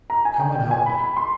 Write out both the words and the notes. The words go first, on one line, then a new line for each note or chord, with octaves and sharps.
"Come and help me."
A#5
G#5
G5
G5
G#5
B5
B5
C6